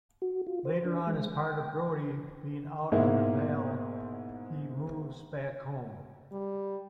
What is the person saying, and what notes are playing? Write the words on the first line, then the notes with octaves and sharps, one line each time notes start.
Later on as part of Brody being out on Bail he moves back home.
F#4
F4
C5
D4
G#3
G5
G#2 B2 G#3 A#3 E4
G3